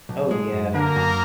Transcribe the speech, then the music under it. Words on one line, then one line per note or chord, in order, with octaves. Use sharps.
Oh, yeah.
B1
G#3
F#2
D3 A#3 A#4
F#2